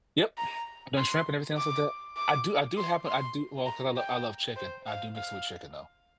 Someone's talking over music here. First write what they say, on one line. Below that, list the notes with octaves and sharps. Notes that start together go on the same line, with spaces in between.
Yep. I've done shrimp and everything else like that. I do I do have I do well, 'cause I l I love chicken. I do mix it with chicken though,
A#5
C6
D6
D6
C6
C6
A#5
G5
C5
F5
F5